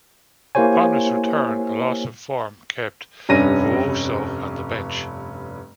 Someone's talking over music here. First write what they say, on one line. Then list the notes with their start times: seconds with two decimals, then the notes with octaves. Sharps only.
Upon his return, a loss of form kept Vuoso on the bench.
0.55 A#3 E4 G4 C5 C#5 G#5
3.29 F1 G2 C#4 D4 A#6 D#7